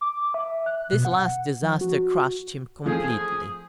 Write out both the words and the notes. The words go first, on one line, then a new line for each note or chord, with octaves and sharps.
This last disaster crushed him completely.
D6
E5
F#6
B2
F#5
F3
F#4
F3 A3 C4 G#4